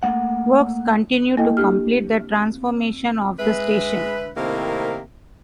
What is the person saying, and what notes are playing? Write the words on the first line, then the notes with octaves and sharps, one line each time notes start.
Works continue to complete the transformation of the station.
A3 A#3 F#5
A#3 E4 A4 D#5 G5
D4 G4 F6
G#3 B4 E5
A2 C3 D#3 A#3 C4 A#4